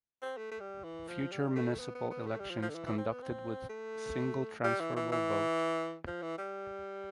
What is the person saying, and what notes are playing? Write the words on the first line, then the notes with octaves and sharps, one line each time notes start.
Future municipal elections conducted with single transferable vote.
C4
A3
A3
G3
E3
F3
G3
A3
B3
B3
B3
A3
G3
F3
F3
D3
E3
E3
C4
B3
C4
A3
G3
E3
E3
E3
F3
E3
G3